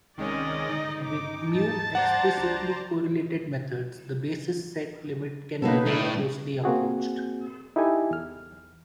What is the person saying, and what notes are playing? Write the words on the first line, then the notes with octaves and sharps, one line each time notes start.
With new explicitly correlated methods the basis set limit can be very closely approached.
C2 D#3 G#3 C4 C#4 D5 D#5
D3 D#3 G#3 D#4
G1 C#3 D6
D#1 G#2 G3 A5 A6
C5 D5 F#5 A#5
C#2 D4
B2 A#3 D#4 F#4 A4 B4 C#5
D2 A2
A#3 C4 F#4 G#4
D#4 E4 G4 A4 G#5
E2 F6